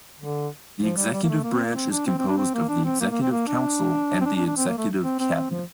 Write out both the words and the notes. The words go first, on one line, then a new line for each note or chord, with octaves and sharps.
The executive branch is composed of the Executive Council and the Executive Cabinet.
D3
F3
G3
G3
A#3
A3
A#3
C4
A#3
C4
D4
C4
C4
D4
C4
A#3
D4
C4
A#3
A#3
C4
A#3
D4
C4
D4
D4
D4
C4
A#3
A3
C4
C4
C4
F3